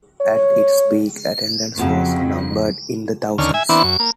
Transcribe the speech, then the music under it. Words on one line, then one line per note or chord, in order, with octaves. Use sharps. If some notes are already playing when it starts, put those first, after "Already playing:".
At its peak, attendance was numbered in the thousands.
C#5
F2 C#3 F#3 C4 A5
D#2 D3 C#4 F6
E5 G#5
E3 B3 C4 D4 E4
F#2
A#3